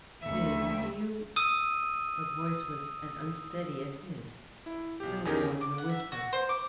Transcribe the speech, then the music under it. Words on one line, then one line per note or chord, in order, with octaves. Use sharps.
"Bibbs, do you--" Her voice was as unsteady as his--little more than a whisper.
D2 E5
D#6 E6 D#7
E4
B1 G4
E2 C#4 D#4 G4 G#4 A#4
D6
F#5
E5
F#4
C5
D6